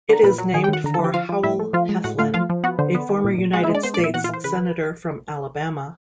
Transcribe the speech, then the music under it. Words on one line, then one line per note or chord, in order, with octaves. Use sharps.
It is named for Howell Heflin, a former United States Senator from Alabama.
D3 A#5
A#2 B4 B5
F#3
D#3 G#4 G#5
G4 G5
D#3 F#4 F#5
D3 A#5
A4 A5
F3
G4 G5
F3 F4 F5
F3
A2 E4 E5
A3
F3 F4 F5
G#3
A2 F#4 F#5
A3 F4 F5
F3 F4 F5
F3
B3 F#4 F#5
D3 C5
B3
D#3
A#2
A#2
G#3 F#4 F#5
E4 E5
G#3
D4 D5
B3 C5
D4 D5
A#2
E4 E5
E3 F#4 F#5
F4 F5
E3 C5
C#3 B4